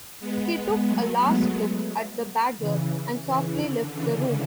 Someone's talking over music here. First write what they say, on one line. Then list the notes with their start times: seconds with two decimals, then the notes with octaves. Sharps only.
He took a last look at the badger and softly left the room.
0.20 G#3 B3
0.88 F#3 A3
1.22 G#3 B3
2.58 C#3 E3
3.25 C#3 E3
3.60 D3
3.93 C#3 E3